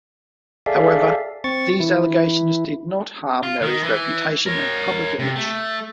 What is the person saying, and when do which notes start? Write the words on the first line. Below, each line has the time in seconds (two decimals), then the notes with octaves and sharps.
However, these allegations did not harm Meri's reputation and public image.
0.66 G#4 A4 D5 E5 F5
1.44 C4 C#6 A6
1.80 E3 E4
3.43 F4
3.61 D#3
3.83 E3
4.46 A#4 C#5
5.19 C3
5.36 A3